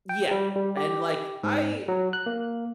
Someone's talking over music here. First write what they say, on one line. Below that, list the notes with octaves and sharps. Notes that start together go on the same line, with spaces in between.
Yeah. And, like, I
G5
G3
G3
G4
G#2
F#3
F#6
A#3